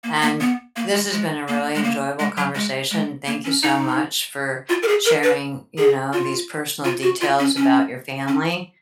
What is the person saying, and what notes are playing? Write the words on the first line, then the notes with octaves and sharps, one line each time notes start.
and this has been a really enjoyable conversation. Thank you so much for sharing, you know, these personal details about your family,
A#3
A#3
B3
A#3
G#3
G#3
A#3
G#3
A#3
G#3
F#3
G#3
G#3
A#3
C#4
D#4
F4
A#4
G#4
A#4
B4
G#4
F4
F4
F#4
F4
C#4
C#4
C#4